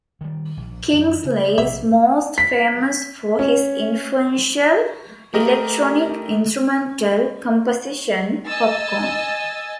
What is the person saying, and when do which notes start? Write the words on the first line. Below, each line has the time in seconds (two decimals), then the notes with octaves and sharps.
Kingsley is most famous for his influential electronic instrumental composition "Popcorn".
0.21 D#3 G3
0.57 A#1
0.93 F#2 E3 G3
1.25 C#3
1.58 A#1 C3 E5
2.38 B6
3.39 C#4
5.34 A3 G4 A#4 D#5
8.45 D#5 G#5 E6 A6